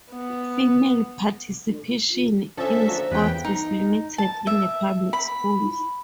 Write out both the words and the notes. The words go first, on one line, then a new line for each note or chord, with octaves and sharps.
Female participation in sports is limited in the public schools.
B3
D3 F3 C#4 A4 E5
F3 A#3 F#4
E2 C#3 B4 G5
D#4
A5
E5
B5